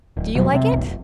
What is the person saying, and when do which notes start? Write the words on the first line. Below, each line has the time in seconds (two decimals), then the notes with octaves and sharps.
Do you like it?'
0.17 D1
0.35 E1 B2 F#3 G3
0.53 C3 A#3 C4
0.71 E1 B1
0.85 F1